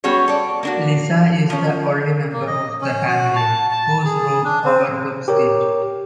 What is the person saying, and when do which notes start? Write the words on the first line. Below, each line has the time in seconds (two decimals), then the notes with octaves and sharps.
Lisa is the only member of the family whose room overlooks it.
0.04 G3 B3 C#4 F#4 G#4 C#5
0.28 A4 D5
0.63 A#3 D4 F#4
1.50 F3 C#4
2.32 A#3
2.47 D#5
2.81 C#4
3.08 F#4
3.36 A5
3.71 A5
4.05 G#4
4.44 D4
4.64 C4
5.28 G4 A#4 C#5